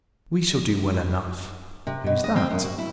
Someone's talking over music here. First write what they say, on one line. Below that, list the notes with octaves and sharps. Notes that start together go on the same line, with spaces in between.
We shall do well enough.--Who's that?'
C3
B2
D#5
C4
F#2
F#4
E4